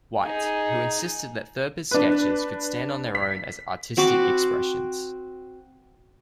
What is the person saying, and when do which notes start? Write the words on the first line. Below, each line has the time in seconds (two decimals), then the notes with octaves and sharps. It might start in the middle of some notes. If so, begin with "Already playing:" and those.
White, who insisted that Thurber's sketches could stand on their own as artistic expressions.
0.22 D#4 G#4
1.91 D4 B4
3.15 B6
3.97 C4 F#4 B5 D6